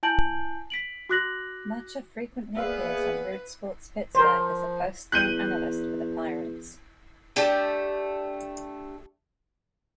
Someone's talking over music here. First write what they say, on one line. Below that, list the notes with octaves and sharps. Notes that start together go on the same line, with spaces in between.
Macha frequently appears on Root Sports Pittsburgh as a postgame analyst for the Pirates.
E4 G#5 A5 G6 D7 F#7
B6 D7 F#7
F#4 D6 F#6 A#6 F#7
A#3 B3 G#4 B4 D5 E5 F5
F3 A#4 C5
E2 F#6 G6 D#7
A3 D4 G4 A5